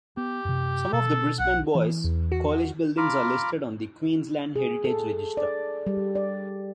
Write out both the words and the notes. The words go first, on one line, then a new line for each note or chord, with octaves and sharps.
Some of the Brisbane Boys' College Buildings are listed on the Queensland Heritage Register.
B3 G4
F#2 C3
B2 A4
B1 F#5
E3
E2
F#4
F4 A#5 B5 D6 F6
G#4
A4
D5
G3
D5